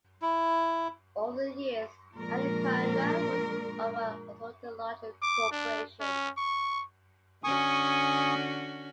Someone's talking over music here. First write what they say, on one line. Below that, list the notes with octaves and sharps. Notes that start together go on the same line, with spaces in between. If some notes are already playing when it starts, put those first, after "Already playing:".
Over the years, Anaconda was owned by assorted larger corporations.
E4
A#2 F3 G#3 D4 A#4
D6
D4
C#4
C#6
D3 C#4 F#4 G#5 C#6 D#6